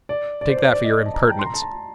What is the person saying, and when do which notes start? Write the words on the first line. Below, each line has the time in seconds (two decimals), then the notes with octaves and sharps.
Take that for your impertinence.
0.09 D5
0.41 D5
0.50 C5
0.57 D5
0.65 C5
0.73 D5
0.84 D#5
1.06 A5
1.14 A#5
1.22 A5
1.30 G5
1.39 C6
1.46 A#5
1.54 A5
1.62 A#5